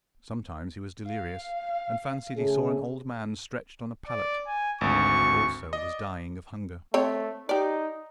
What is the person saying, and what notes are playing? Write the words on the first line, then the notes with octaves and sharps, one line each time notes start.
Sometimes he was delirious, and fancied he saw an old man stretched on a pallet; he, also, was dying of hunger.
F5
C#3 A3 G#4
D5
G#5
G#1 D2 C#6
D5 D#5
A3 C4 C#5
D#4 G4 D5